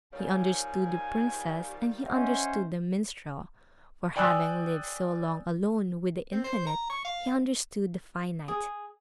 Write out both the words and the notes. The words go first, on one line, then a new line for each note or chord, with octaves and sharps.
He understood the princess, and he understood the minstrel; for, having lived so long alone with the Infinite, he understood the Finite.
D#3 F3 G3 C#5 G#5
C#4 C5 D#5 E5 F#5
D5 G5 G#5 D#6 E6 F#6
C4
C5
A#5
C#6
F5
G#4